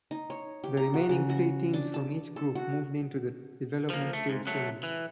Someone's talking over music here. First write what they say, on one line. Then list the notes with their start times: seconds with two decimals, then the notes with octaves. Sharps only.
The remaining three teams from each group moved in to the development stage tournament.
0.11 D#4
0.30 C#5
0.64 G4
0.77 A#5
0.94 F#4
1.09 C#3
1.30 F#4
1.73 D4
1.94 A5
2.36 A4
2.55 F#4
3.90 F3 A#3
4.13 A3
4.29 G#2
4.47 F#3 A3
4.83 E3